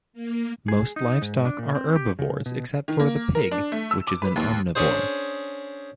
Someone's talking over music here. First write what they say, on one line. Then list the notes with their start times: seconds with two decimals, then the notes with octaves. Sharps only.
Most livestock are herbivores, except for the pig which is an omnivore.
0.13 A#3
0.68 G#4
0.96 D#4
1.22 G#2
1.45 D4
1.59 A#2
1.75 C4
1.96 G4
2.19 C#3
2.46 B2
2.88 D#3
3.00 A#3
3.35 A#4
3.51 D4
3.72 A3
3.91 E6
4.07 D6
4.22 B4
4.36 D#2
4.75 C#4 D4 G#4 C5